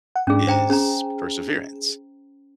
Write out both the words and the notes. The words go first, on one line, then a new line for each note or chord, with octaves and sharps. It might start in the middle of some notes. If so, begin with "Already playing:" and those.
is perseverance,
F#5
G#2 C#4 D4 G#4
C5 G5 A#5
C#4 G#4 A#5